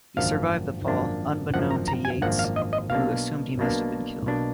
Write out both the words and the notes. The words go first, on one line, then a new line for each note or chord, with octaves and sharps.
He survived the fall, unbeknown to Yates, who assumed he must have been killed.
G#1 F#2 F3 A#3 D4 F5
G#1 F#2 F3 A#3 D4
G#1 F#2 F3 A#3 D4 F#5
A#5
A#5
G#5
G#1 F#2 F3 A#3 D4 F#5
F5
D#5
D#5
B1 B2 A#3 D4 F5
B1 B2 A#3 D4
B1 B2 A#3 D4